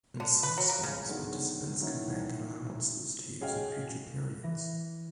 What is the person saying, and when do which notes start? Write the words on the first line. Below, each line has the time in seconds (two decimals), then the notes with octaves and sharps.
In some schemes, participants can bank allowances to use in future periods.
0.20 D3
0.43 B4
0.58 F#3
0.69 A#3
0.83 C#3
1.07 B2 D3 D#3 F#3 G#3 B3
1.81 D#3 E3 F#3 A#3 C#4 E4
3.40 C#4 F#4 G#4 D#5 F5 G5
4.43 E3 A#6